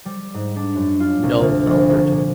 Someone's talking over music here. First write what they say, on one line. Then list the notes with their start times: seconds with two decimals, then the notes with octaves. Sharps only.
No, Halbert!
0.05 G3
0.34 G#2
0.56 D4
0.75 F#2
1.00 F4
1.23 C2
1.40 D2
1.66 A#1
1.89 C2
2.11 A#2